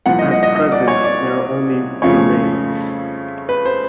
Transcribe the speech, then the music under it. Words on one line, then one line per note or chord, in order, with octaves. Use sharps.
At present, there are only remains.
C2 A#2 F3 F#5
D#5
D#5
D#5
D#5
D5
C#5
D5
F2 C#3 F3 A3 C#5
B4
C5